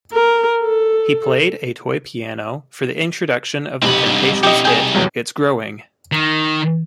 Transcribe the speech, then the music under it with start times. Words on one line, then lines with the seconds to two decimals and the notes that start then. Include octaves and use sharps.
He played a toy piano for the introduction of the Temptations' hit, "It's Growing".
0.13 A#4
0.62 A4
3.82 B1 F2 C3 C4 B5
4.06 G2 D3
4.43 A2 D3 G4 D#5
4.65 C2 G#4 G5
4.95 F1 E2 F#3
6.12 D#3